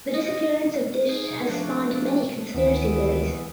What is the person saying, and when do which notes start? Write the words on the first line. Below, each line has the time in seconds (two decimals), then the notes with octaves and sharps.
The disappearance of Disch has spawned many conspiracy theories.
0.14 D#5
1.09 D#4 G#4
1.49 F3 A3 D4
2.54 D2 D#3 E3 B3